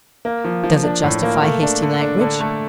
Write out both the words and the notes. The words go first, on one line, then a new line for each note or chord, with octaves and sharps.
Does it justify hasty language?
A#3
F3
F3
D4
A2
A#3
A3
D4
D3
D4
D3
A3